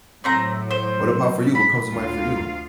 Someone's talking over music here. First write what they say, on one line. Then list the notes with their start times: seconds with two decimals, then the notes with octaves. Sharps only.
what about for you? What comes to mind for you?
0.24 A2 F#3 A3 C4 A#5
0.71 C5
1.55 B5
1.91 D2 F4 F5